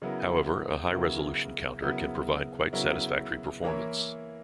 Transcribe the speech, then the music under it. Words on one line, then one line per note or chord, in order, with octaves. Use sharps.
However, a high-resolution counter can provide quite satisfactory performance.
C#3 F#3 B3 E4 A#4
C#3 F#3 B3 E4 A#4
C#3 F#3 B3 E4 A#4
C#3 F#3 B3 E4 A#4
E3 A#3 E4 A#4 C#5